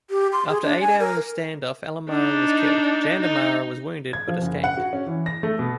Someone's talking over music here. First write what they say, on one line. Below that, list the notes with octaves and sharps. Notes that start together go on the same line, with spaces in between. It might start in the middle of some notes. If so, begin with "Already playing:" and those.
After eight hours of standoff Ellemarra was killed, Jandamarra was wounded but escaped.
G4
C6
G#4
D4
G#5
A#4
D4 D#4
D#4
G#6
F3
F#1
F#5
F#4
C#4
E3
A#6
A3
B2